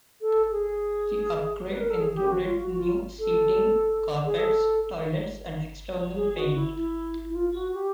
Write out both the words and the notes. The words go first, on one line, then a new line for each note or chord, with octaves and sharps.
The upgrade included new seating, carpets, toilets and external paint.
A4
G#4
B4
A#4
A4
G#4
G4
F#4
F4
F#4
F#4
F4
A4
G#4
A4
G#4
F#4
E4
E4
E4
F4
F#4
G4